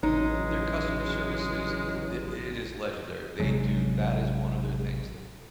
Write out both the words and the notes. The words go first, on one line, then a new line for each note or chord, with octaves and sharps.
Their customer service is th it it is legendary. They do. That is one of their things that
A1 C#3 E3 F#3 G#3 D#4
A1 C3 F#3 G#3